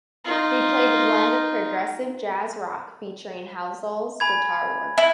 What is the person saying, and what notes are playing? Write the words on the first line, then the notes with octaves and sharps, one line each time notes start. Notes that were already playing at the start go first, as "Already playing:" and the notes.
They played a blend of progressive Jazz rock featuring Halsall's guitar work.
D#4 F4
G#5 B5 G#6
E4